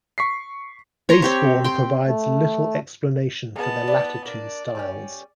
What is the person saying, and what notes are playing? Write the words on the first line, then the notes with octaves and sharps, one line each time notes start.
Basevorn provides little explanation for the latter two styles.
C#6 B6 C7
C#5 A#5 C6
C4 G4 C#5
G5 C6
A3
G#3 B3 D#5 A5
D4 E4 D5
A#3 D4 D5
G3 C#4